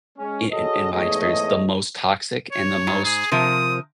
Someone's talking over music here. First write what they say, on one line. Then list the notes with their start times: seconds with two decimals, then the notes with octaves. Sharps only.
in in in my experience, the most toxic and the most,
0.18 G#3 C#4
0.52 F#4 G#4 A4 C#5 D#5
0.92 E2 G#2 A3 G#4 C#5 D#5
2.52 C#5
2.87 G#2
3.05 G#4
3.31 C3 F3 A#4 D#6